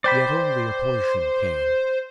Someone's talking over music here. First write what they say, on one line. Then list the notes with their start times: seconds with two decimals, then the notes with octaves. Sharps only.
Yet only a portion came.
0.04 C5 D5 G5 B5